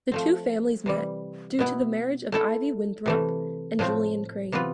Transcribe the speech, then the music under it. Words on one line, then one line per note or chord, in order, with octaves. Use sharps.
The two families met due to the marriage of Ivy Winthrop and Julian Crane.
F3 A3 C4
C3 E3 G3
B2 B3 E4
A3 E4 A4
C3 E3 A3
A2 F3 A3 C4
C3 E3 B3 F4 B4